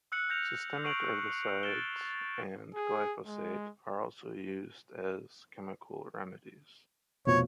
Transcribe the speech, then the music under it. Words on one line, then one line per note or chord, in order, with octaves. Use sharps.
Systemic herbicides and glyphosate are also used as chemical remedies.
E6 F#6 C#7 F#7
F6 G6 A#6 C#7 F7
C#6 C7 D7 D#7 F7 F#7
F#6 A6 D7 E7 G7
G#4
G#3
F1 B2 F3 C#5